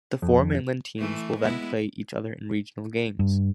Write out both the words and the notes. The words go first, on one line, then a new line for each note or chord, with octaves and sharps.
The four mainland teams will then play each other in regional games.
F2
E3 A3
G#3 B3 E4
G2